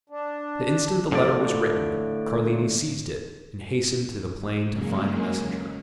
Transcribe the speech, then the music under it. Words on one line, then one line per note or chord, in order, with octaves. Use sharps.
The instant the letter was written, Carlini seized it, and hastened to the plain to find a messenger.
D4
A2 D3 F3 D5
C#3 F#3 G#3 A#3 C#4